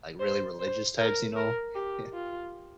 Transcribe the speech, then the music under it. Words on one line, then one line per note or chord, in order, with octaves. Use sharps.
like, really religious types, you know? Yeah.
C5
C5
A#4
A#4
G4
F4